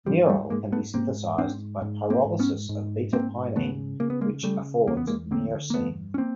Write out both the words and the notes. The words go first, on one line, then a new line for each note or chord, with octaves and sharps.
Nerol can be synthesized by pyrolysis of beta-pinene, which affords myrcene.
G#2 F3 G3
G3 A3
G#2 G#3 A#3
A3 B3
G#2 A#3 C4
G#2 C4 D4
G#2
A#3 C4
G#2
B3 C#4
G#2
G#2 A#3 C4
C#3 A3 B3
C#3 A#3
B3
G#3 A#3
C#3 G3 A3
E2 A#3
B3
G#3 A#3
D3 A#3 C4
A#3
G2 A3 B3
C#4
A#3 C4